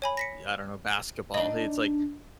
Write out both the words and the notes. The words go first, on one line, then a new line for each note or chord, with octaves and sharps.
I don't know, basketball." It's like,
C#5 G#5 B5
A#6 B6 C#7
D4 D#4 D#5